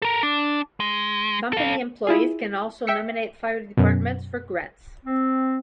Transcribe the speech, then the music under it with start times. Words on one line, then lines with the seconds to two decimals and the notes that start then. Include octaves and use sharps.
Company employees can also nominate fire departments for grants.
0.02 A4 A#4
0.23 D4
0.80 G#3
1.53 A4 F5
2.07 E4 F4 G#4
2.87 E5 G5 E6 B6 C#7
3.77 F#2 B2
5.06 C4